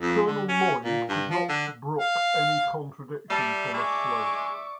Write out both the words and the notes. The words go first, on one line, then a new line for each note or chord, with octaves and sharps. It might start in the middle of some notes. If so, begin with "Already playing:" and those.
Colonel Lloyd could not brook any contradiction from a slave.
F2
D3
C#4
A#2
G2
F3
D3
F5
G3 D5 E5 A5
G#3 C#6 D6